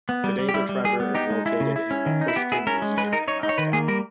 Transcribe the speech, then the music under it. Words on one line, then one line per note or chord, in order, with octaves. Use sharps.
Today the treasure is located in the Pushkin Museum in Moscow.
B3
G3
G3
G4
G3 E4
G3
G3 G#4
B3
D#4 G4
G#3
G#3 E4
C#3
E4
C#4
D#3
D#4
E4
B3 G4
E4 G#4
C#4 A#4
G#3
G#3 B4
D#4 A#4
D#4 C#5
D#4
C#5
D#3 B4
A#3 G#4
G3 A#4